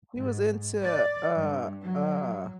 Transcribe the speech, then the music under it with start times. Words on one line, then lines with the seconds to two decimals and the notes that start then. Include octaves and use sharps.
she was into, uh uh
0.18 G#2
0.82 D5
1.36 G2
1.82 F#3